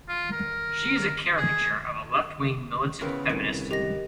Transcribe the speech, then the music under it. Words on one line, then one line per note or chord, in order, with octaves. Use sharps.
She is a caricature of a left-wing militant feminist.
F4
A#4
G#4
C#3 B3 C4 E4 A#4
C2 A#2 D3
D#3 G4 D#5 A#6